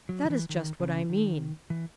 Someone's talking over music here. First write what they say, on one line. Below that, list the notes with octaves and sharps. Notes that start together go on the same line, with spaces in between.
"That is just what I mean."
F#3
D#3
E3
D#3
C#3
D#3
E3